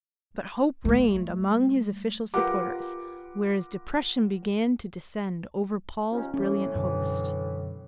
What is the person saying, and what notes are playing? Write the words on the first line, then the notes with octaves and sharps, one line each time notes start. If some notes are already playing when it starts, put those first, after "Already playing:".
But hope reigned among his official supporters, whereas depression began to descend over Paul's brilliant host.
G3 A3
F4 G4 A#4 B4 F#5 D6
D#2 F3 C#4
A2 E3 C#4
F#2 B2 D3